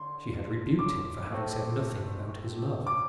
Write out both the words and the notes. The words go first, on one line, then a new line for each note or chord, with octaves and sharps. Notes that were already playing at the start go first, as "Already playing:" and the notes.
She had rebuked him for having said nothing about his love.
Already playing: D3 C6
D6
A2 A3 C4
D6